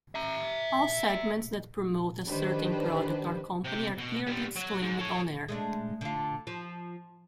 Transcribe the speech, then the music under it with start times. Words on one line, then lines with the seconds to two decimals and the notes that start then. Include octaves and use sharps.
All segments that promote a certain product or company are clearly disclaimed on air.
0.15 E5 A#5
2.27 D#3 D4 G4 B4 C5
3.64 C3 G4
3.98 B2
4.27 G3 B3
4.56 F#3
4.82 G#2
4.99 A4 C#5
5.48 G#3 A3 D4
6.01 D3 F4
6.47 F3